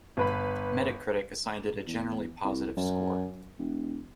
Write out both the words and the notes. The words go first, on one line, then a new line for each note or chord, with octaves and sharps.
Metacritic assigned it a generally positive score.
G1 B4 B5
E2
C2
F#2
E1